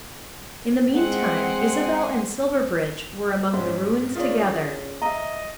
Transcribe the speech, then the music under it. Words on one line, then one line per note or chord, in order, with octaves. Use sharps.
In the meantime Isabel and Silverbridge were among the ruins together.
G#3 C4 G#4 F#5
G#2 C#4 C5
D#3 C#4 F4 G#4 D5
D#5 E5 A#5